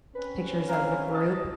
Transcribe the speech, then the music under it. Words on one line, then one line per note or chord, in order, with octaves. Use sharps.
pictures of a group,
C4 C#4 B4
G#4 A#4 F5
D#5 A5